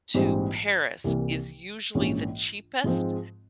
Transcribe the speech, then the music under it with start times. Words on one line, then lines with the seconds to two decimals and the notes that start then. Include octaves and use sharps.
to Paris is usually the cheapest,
0.14 A#1 G#2 E3 G3 C4
1.04 C2 C3 E3 A#3
1.95 A#1 G#2 E3 A#3 C#4
2.84 G#2 F3 G#3 C4